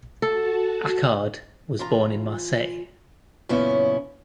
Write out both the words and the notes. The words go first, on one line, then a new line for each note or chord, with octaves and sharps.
Achard was born in Marseille.
F#4 A4 A5
E3 F4 A#5
F#2 A#2 C#3 B3 C#4 E4